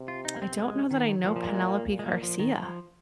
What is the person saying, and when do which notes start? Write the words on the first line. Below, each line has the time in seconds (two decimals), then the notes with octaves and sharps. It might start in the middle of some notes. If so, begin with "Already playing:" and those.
I don't know that I know Penelope Garcia.
Already playing: C3
0.08 F4
0.25 D#4
0.36 A#3
0.42 C4
0.58 G#3
0.91 D#3
1.24 A#2 F3
1.36 F3
1.46 G#3
1.68 A#3
1.89 A#2
1.99 G#3
2.06 A#3
2.23 F3
2.39 D#3
2.55 F3